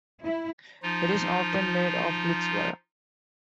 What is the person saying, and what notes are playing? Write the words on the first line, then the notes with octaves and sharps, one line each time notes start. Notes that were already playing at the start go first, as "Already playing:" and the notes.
It is often made of litz wire.
E4
F3 D#4 F4